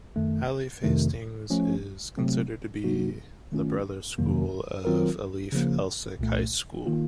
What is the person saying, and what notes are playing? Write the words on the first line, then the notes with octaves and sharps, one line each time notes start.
Alief Hastings is considered to be the brother school of Alief Elsik High School.
F#2 D#3 A3
F2 C3 D#3 A3
F3 A3 C#4
C3 F#3 A3 C4
C3 F#3 A#3 D#4 F#4
D#3 A3 C#4 F4
F2 C3 D#3 F#3 A#3
D#3 F#3 C4 F4 A#4
C#3 F3 A#3
C2 A#2 A3
D#3 A#3 F4